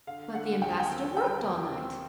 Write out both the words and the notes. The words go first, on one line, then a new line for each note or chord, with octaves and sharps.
"But the ambassador worked all night?"
D3 F5
D3 F#5
D#2 G5
G#5
G5
C4
G3 G5
D#2
C4